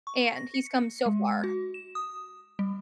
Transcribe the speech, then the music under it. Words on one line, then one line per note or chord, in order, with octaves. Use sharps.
And, he's come so far.
C#6
A#6
C#7
G#3
F#4
E7
D#6
G3